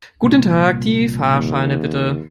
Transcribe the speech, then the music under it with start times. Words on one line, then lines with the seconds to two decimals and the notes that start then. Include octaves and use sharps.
Guten Tag, die Fahrscheine bitte.
0.23 C2 A#2
1.33 D#2